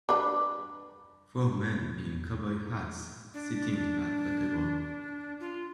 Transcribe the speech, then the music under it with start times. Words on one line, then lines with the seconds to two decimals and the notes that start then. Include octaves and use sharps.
Four men in cowboy hats sitting at a table.
0.09 D4 B4 D6
3.34 D4
5.40 F4